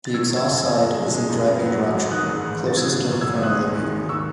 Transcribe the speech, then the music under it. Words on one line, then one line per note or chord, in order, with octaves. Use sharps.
The exhaust side is in driving direction, closest to the front of the vehicle.
A6
D#3 E6 G#6
F#2
E6 G#6
F#1
E6 G#6
F#1
G#3
F#2
G#3
F#2
B3
F#3
A1
A1
D#3 D#6 F#6
G#2
A1
A1
A6
C#3 E6 G#6
G#1
F#2
E6 G#6
G#1
D#2 D#6 F#6
G#3
D#3
D#2
D#3 C#6 E6